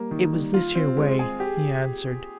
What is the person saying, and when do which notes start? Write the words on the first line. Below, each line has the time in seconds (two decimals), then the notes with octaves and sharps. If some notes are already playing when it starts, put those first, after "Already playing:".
"It was this here way," he answered.
Already playing: G3 A#3
0.11 D#3
0.32 G3
0.54 F4
0.75 C4
0.97 G#3
1.19 G#4
1.40 G4